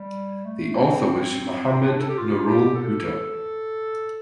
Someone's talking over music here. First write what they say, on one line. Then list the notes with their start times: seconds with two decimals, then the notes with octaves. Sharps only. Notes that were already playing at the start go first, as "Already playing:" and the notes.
The author was Mohammad Nurul Huda.
Already playing: G3
0.45 A3
0.74 C4
1.60 C4
1.88 D4
2.00 A4
2.09 G4
2.18 F4
2.46 G4
2.75 A4